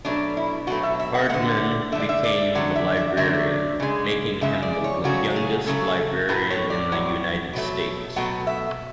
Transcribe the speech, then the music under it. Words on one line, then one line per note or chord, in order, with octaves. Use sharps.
Hardman became the librarian, making him the youngest librarian in the United States.
B2 F#3 A3 D4
E4
B2 F#3 A3 F#4
E5
E5
F#5
D3 A3 F#5
D3 A3 D5 E5
E5
D5
D3 F#3 A3 F#5
E5
E5
D3 F#3 A3 E5
C#3 G#3
C#3 G#3 E5
D5
C#5
C#3 F#3 A3 F#4
F#4
G#4
C#3 F#3 A3 A4
A2 F#3 A3 B4
C#5
D5
A2 F#3
B2 F#3 A3
B2 F#3 A3 F#5
E5